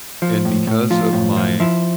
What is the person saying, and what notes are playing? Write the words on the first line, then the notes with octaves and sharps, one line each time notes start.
and because of my
F3
A2
A2
F3 F4
A2
F3
F3 E4